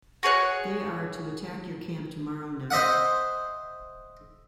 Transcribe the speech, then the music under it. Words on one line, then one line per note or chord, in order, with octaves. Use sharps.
They are to attack your camp tomorrow night.
F#4 G#4 C#5 F#6
C5 D#5 E5 F#5